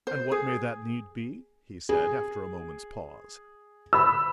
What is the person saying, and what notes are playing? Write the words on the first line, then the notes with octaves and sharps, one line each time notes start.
"And what may that need be?" he said, after a moment's pause.
C5
G#4
G#4
B5 E6